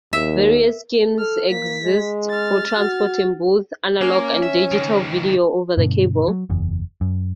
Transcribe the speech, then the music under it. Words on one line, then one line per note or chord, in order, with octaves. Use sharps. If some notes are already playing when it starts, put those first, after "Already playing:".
Various schemes exist for transporting both analog and digital video over the cable.
D#2 E5
A4 F6
A#3 B6
G#3
F6 A6
F#4
A#3 C#4
E5
C#2 D#3
G2 B2 D3
F#3
F#1 E2
F#2